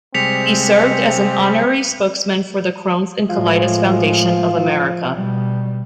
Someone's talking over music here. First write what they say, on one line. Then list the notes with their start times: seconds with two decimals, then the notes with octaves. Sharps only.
He served as an honorary spokesman for the Crohn's and Colitis Foundation of America.
0.14 C3 G3 G#3 C4 B6 C#7 F7
3.30 A2 F3 G#3 F4
5.16 B2 G3